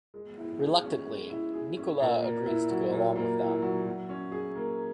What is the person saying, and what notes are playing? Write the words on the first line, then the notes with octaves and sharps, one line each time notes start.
Reluctantly, Nicola agrees to go along with them.
G#3
E4
G#4
C#4
G#3
E4
G#4
C#4
A#2
A#3
E4
F#3
A#2
A#3
E4
F#3
F#3
C#4
G#4
A#3